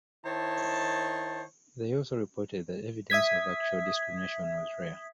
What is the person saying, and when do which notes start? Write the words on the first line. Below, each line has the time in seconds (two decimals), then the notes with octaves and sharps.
They also reported that evidence of actual discrimination was rare.
0.24 D#3 E4 C5 C#5 A5
3.10 E5 D#6 G#6 B6